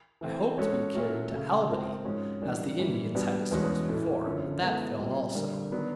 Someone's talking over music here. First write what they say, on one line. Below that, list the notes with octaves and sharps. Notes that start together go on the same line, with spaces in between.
I hoped to be carried to Albany, as the Indians had discoursed before, but that failed also.
E3 A3 C4
G#3 C#4 F#4 A4 C#5
A#2 F#3 A3 C#4 F#4
C#3 F#3 A3
G#3 C4 F4 A#4
G#2 F3 G#3 C#4 F#4
E3 G3 A#3 D4
G#2 E3 G3
B2 G3 B3 D4 F#4
E2 B2 G#3 C#4 F#4
A2 E3 A3
F#2 D3 F3 A#3 C#4
B2 G#3 B3 E4 A4
A#2 G3 C4 F4
D3 G3 A#3 D4
D#3 F#3 B3 D4